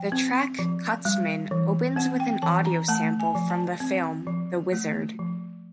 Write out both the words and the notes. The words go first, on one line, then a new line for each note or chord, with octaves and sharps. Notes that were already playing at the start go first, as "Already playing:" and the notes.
The track "Cutsman" opens with an audio sample from the film "The Wizard".
Already playing: F3 G5
C4
F3
G3
E3
C4 F#5
G5
E3 A5
A#5
A3 A5
G#5
F3
A5
C4
F3
A3
F3